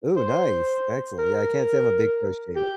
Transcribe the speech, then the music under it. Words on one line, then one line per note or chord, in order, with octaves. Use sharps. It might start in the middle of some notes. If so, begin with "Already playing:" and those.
Ooh, nice. Excellent. Yeah, I can't say I'm a big crocheter.
C5
A#4
G4